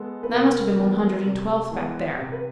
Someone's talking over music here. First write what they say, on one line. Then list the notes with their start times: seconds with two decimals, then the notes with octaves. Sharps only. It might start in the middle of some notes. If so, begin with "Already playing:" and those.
That must have been One Hundred and Twelfth back there.
Already playing: G#3 B3 A4
0.23 B4
0.34 C3 A#4
0.80 E3 G#3 B3
1.26 C3
1.72 E3 G#3 B3
2.18 C3
2.32 B4